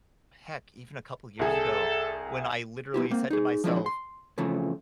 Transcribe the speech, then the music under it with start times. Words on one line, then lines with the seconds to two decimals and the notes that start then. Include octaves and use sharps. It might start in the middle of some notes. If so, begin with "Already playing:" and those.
Mm, heck, even a couple years ago, when I literally said to myself,
1.39 C2 G#4 A4
2.94 B3 E4 G4
3.11 A#3 C4
3.30 D#4 G#4
3.64 F3 F#3 G#3 C4 D4 E4
3.86 C6
4.38 F2 C#3 E3 F3 A3